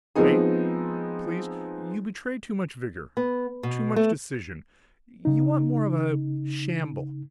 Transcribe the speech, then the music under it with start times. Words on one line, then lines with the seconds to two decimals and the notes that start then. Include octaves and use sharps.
Wait, please; you betray too much vigor, too much decision; you want more of a shamble.
0.15 F3 G#3 B3 C4 D#4 G#4
3.17 B3
3.63 B2
3.96 A3
5.25 C#3 D#4